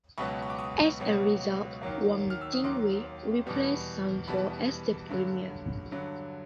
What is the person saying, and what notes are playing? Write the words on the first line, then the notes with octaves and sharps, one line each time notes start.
As a result, Wang Jingwei replaced Sun Fo as the Premier.
C#2 B2 F#3 B3 B5 C#6
C#6
D6
C#6 D#6
C#2 B2 F#3 B3
D#2 D#3 F#3 A#3
F6
E6
D#6
D#2 D#3 F#3 A#3 C6 D6
E2 B2 G3 B3
E2 B2 G3 B3 A5 B5
G2 D3 F#3
G2 D3 F#3